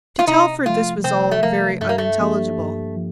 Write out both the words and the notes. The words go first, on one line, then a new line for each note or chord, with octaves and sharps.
To Telford this was all very unintelligible.
F4
C3 D#4
F3 A3 F4
C3 C4
A3
F3 A3 A#3
G2 A3
A#3
A3
F3 A#3 D4 G4
G2
F3